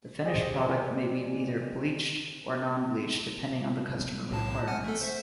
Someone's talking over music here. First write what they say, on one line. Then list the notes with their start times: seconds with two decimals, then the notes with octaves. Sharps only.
The finished product may be either bleached or non-bleached, depending on the customer requirements.
0.25 G4 G#4 C5 D5 D#5 G#5
4.30 B1 A2 A5
4.67 F#5 G#5 F6
4.84 A3 A4
5.01 C5 E5